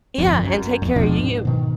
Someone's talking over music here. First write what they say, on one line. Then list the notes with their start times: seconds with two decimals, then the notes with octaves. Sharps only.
Yeah, and take care of you.
0.18 G1 F2
0.44 F#2
0.82 E2 G2
0.96 D#1 B2 F3 D4
1.20 G#2
1.45 B2 D#3